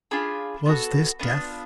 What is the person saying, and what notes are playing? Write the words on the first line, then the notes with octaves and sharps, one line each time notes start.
Was this death?
D4 F4 G#4 B5
B3 D4 F#4 A4
B3 D4 F4